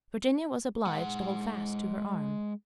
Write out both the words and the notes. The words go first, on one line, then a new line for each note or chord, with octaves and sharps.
Virginia was obliged to hold fast to her arm.
G#3 F#5